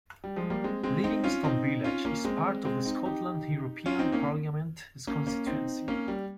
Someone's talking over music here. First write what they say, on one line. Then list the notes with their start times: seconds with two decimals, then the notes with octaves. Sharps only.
Livingston Village is part of the Scotland European Parliament constituency.
0.24 G3
0.36 F3 G#3
0.50 G3 A#3
0.64 G#3 C4
0.83 G#3 C4
1.04 C4 D#4
1.24 C#4 F4
1.44 C4 D#4
1.84 C#4 F4
2.05 A#3 C#4
2.25 G#3 C4
2.65 G#3 C4
2.85 C4 D#4
3.05 D#4 G4
3.86 C#4 F4
3.99 C4 D#4
4.12 A#3 C#4
5.07 A#3 C#4
5.27 A#3 C#4
5.47 C4 D#4
5.88 A#3 C#4
6.08 G3